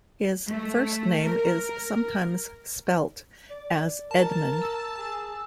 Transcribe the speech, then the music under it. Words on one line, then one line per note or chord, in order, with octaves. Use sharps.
His first name is sometimes spelt as Edmond.
A3
A#4
D5
A#4 A5
E6
G#4